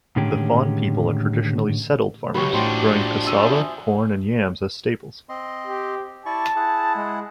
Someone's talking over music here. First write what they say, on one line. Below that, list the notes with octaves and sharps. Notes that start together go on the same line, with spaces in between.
The Fon people are traditionally settled farmers, growing cassava, corn and yams as staples.
A2 D3 D#3 G#3 C#4 G4
C#2 F#3 G4 B4 C#5
A1 F3 D4 F#4 G4 C5
C6 E6 D#7
E5 G#5 D#6 G6
C4 D#5 C6
G4
E4 D5 A5 C#6
E4 G#4 F#5
G#3